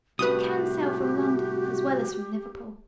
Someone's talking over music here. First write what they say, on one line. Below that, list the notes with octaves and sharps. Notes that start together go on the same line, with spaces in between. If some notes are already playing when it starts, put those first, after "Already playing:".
You can sail from London as well as from Liverpool?'
C2 A2 F#4 G4 B4 D#6